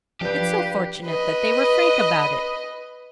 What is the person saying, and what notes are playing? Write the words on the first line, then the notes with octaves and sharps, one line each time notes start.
It's so fortunate they were frank about it.
F3 D4 G4 B4 D5 F5 G6
B4 D#5